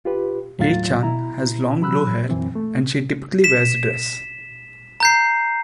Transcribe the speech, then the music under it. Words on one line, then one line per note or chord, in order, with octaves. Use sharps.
A-chan has long blue hair and she typically wears a dress.
F4 G4 B4
D#2 A2 F#3 F4 F5 A6
B2 E4 A#5
E3 F#3 B5 E6 F#6
F#2 E3 C4
A3
B6 E7
A#5 G6 C7